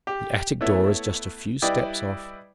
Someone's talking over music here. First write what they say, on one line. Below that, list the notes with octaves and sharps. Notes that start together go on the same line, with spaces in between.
The attic door is just a few steps off.
G4
A3 B3 E4 C#5 E5
G3 E4 B4 D5 D#5 G5